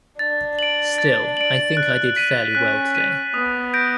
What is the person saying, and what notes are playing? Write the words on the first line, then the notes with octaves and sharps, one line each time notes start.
Still, I think I did fairly well today.
D4 A6
D7 F#7
A6
D7 F#7
F#6
B6 D#7
C#4 F#6
B6 D#7
B3 D#6
G6 A#6 D7